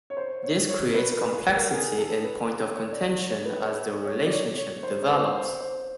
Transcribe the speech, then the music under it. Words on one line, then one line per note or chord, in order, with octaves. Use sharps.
This creates complexity and point of contention as their relationship develops.
C#5
C5
C#5
C#5
B4
A#4
B4
B4
A#4
G#4
A4
B4
C#5
D5
C#5
B4
C#5
C#5
D5
C#5
C#5
C5
C5
B4
C5
C5